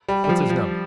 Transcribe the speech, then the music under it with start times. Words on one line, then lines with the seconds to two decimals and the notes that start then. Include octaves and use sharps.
What's his number?
0.09 G3
0.24 G3
0.29 F3
0.49 F3